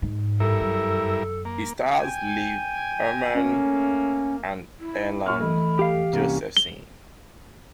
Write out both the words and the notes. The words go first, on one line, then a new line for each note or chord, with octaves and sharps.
It stars Liv Ullmann and Erland Josephson.
G#2
G2 E4 A4 A#4
F#2
A#3
G5 G#5
A3 A#3 C#4
E4
A#2 C6 C#6 F6
E3 A3 D#5 B5
G4 F5
C2 A#3 C#4
G7